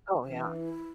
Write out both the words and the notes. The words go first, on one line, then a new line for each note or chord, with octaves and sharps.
Oh, yeah.
E3 C#4
D4
E4